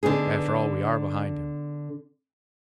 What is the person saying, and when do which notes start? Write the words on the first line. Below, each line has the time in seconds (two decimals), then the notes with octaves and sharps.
After all, we are behind him.
0.03 D3 B3 D#4 G#4